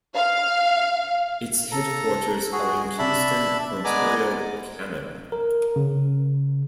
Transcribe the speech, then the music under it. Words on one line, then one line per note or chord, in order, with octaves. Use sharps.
Its headquarters are in Kingston, Ontario, Canada.
F5
A4 A#5
F#4 G#4
D4 E5 A5 B5
G#3 B3 D5 G#5 A#5 D6
A#4
C#3